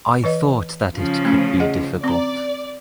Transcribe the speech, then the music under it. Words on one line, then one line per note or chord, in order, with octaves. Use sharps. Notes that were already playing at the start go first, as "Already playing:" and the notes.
I thought that it could be difficult.
E3 B4 D#5
C#3 F3
A3 C#4
G#4 D#5 F#5
C4 D5 A#5